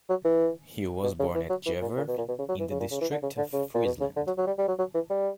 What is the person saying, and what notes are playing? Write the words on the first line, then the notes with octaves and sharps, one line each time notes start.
He was born at Jever in the District of Friesland.
F#3
E3
B2
C#3
E3
F#3
E3
A#2
A#2
B2
A#2
B2
C#3
F#3
E3
C#3
A#2
C#3
E3
D3
C#3
D3
C#3
A#2
B2
C#3
D3
F#3
F#3
G3
G3
F#3
F#3
E3
G3